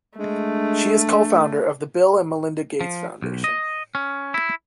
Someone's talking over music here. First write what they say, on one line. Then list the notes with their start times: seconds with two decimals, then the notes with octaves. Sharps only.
She is co-founder of the Bill and Melinda Gates Foundation.
0.18 G#3 A3 D4
2.81 F3
3.22 B1
3.44 D#5
3.95 C#4
4.34 E4